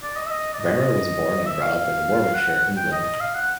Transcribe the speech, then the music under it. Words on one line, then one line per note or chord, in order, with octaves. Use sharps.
Bremmer was born and brought up in Warwickshire, England.
D5
D#5
E5
D#5
D5
D#5
E5
F5
F#5
F#5
G5
D#5
F5
F#5